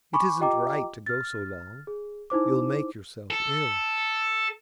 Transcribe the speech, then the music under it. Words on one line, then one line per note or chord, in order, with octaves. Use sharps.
It isn't right to go so long; you'll make yourself ill.'
G#5 B5 C#6 D6
F4 G4 D#5 G5 A#5 D6
F6 A6
G#4
D#4 E4 C5 D6
A4